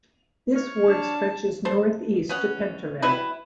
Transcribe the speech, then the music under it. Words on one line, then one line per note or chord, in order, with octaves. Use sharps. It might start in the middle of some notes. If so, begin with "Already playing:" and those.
This ward stretches north east to Pencarreg.
C#5 F6
D4 A5
A4 C5
B3 C#4 F#5
F#3 G3 E4 B4